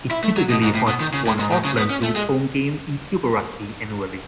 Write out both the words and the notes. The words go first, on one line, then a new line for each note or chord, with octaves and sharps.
It typically hosts one Auckland Blues home game in Super Rugby annually.
E4
A3
F#3
B2
G#2
A2
B2
D#3
C#3
A2
G#2
A2
C#3
B3
C#4
A3
G#3